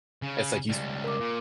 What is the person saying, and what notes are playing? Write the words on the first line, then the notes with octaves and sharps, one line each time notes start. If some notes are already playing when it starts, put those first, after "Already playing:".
It's like you s
C#3
C#2 G3
A#4 D6
A#2